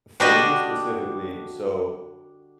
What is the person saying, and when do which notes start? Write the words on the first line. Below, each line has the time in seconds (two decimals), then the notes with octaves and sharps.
for me specifically, so
0.20 D3 G3 D4 F#4 G4 D#5